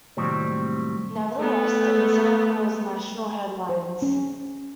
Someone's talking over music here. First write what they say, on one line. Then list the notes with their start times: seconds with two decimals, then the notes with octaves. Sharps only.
Nevertheless, the incident caused national headlines.
0.17 D#2 A2 C3 F#3 G3 C4
1.38 A3 B3
3.69 C5
4.02 C#4